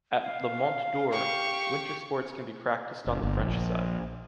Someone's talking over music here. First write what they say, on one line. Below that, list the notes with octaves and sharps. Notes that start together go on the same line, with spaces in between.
At the Mont d'Or, winter sports can be practiced on the French side.
F5
G4 C#6
F#1
G1
A#1